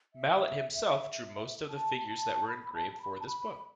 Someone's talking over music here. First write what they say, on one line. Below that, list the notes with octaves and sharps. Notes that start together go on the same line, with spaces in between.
Mallet himself drew most of the figures that were engraved for this book.
E5
A5
A5
B5
A5
B5
A5
B5